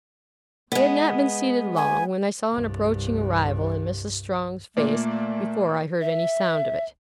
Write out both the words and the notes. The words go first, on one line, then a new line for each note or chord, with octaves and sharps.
We had not been seated long, when I saw an approaching arrival in Mrs. Strong's face, before I heard any sound of it.
G#3 B3
G#5
C2 G2
A#2 A3 A#3 D5
E5